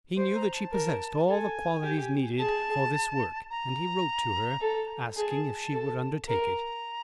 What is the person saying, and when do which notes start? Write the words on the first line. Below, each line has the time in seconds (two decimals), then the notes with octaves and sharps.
He knew that she possessed all the qualities needed for this work, and he wrote to her, asking if she would undertake it.
0.17 C5
0.35 A#5
0.54 A5
0.72 A#4
1.28 A4 G#5 A5
1.83 G4
2.39 G#4 A5
3.50 A#5
4.61 A4
5.17 G#4 A5
5.73 A4
6.28 A#4 A#5